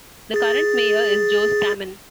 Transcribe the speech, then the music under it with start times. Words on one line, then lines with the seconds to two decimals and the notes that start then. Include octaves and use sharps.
The current mayor is Joe Stammen.
0.34 G#4 A6